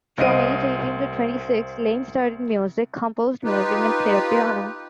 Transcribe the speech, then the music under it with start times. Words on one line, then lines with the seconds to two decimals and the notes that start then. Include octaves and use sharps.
From age eighteen to twenty-six, Lane studied music, composed music, and played piano.
0.18 C2 C4 D#5 F5 D7 D#7
3.44 D#4 F4 G4 B4